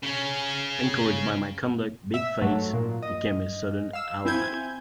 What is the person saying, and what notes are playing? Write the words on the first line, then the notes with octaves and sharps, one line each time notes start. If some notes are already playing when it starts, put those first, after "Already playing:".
Encouraged by my conduct, Big-Face became a sudden ally.
C#3 C#4
E5
G#2 F#3 A3
A#2
D#5
F5 E6
C4 E4 G#5 G6 G#6